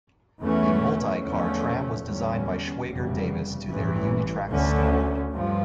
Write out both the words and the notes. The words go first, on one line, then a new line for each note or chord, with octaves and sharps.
The multi-car tram was designed by Schwager-Davis to their UniTrak standard.
E2 E3 A3 C#4
E2 D3 F3 A3 C#4
E2 D3 G3 C#4
F1 E2 C#3 G3
A1 G2 E3
D2 D3 A3 C#4
G2 F3